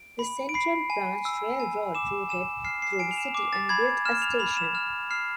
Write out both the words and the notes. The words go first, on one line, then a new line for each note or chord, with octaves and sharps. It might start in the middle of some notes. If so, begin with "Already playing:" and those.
The Central Branch Railroad routed through the city and built a station.
Already playing: D7
B5
D7
B5 C7
G#5
E6
G#5
D6 E7
G#5 E7
F6 C7
C7
C7
G#5 D7
F7
E7
D6
A6
B5 G#6
F6 E7
F7
B5 F7
E7
F6 E7
F6 C7